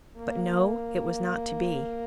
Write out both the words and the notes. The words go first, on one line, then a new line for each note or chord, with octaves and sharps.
But no, it was not to be.
A#3